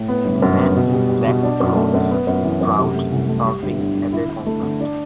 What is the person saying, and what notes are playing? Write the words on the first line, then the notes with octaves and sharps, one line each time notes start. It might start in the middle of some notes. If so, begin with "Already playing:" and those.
A man in black clothes is crowd surfing at a concert.
Already playing: A2
B3
G1
F#2
B3
B2
G3
G3
B2
D4
F#2
A3
F#2
B3
F#2
E3
F#2
C3
A3
C2
A3
G3
G1
D3
D3
E4
E4
A3
D3
D4